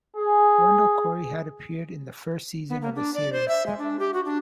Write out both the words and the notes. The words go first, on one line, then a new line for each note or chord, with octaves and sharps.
Wendell Corey had appeared in the first season of the series.
G#4
B3
A#3
D4
D5
C5
E5
G#3
D4
G4
F#4
D4